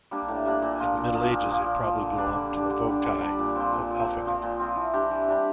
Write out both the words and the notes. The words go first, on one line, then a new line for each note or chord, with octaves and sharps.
In the Middle Ages it probably belonged to the vogtei of Elfingen.
G3 A#3 D4
A2
G3 A#3 D4
A#2
F3 A#3
A#2
F3 A#3
A#2
F3 A#3
A#2
F3 A#3
D3
G3 D4
D3
G3 D4
D3
G3 D4
D3
G3 D4
A#2
F3 C4
A#2
F3 C4
A#2
F3 C4
A#2
F3 C4
E3
G3 D4 G4
E3
G3 D4 G4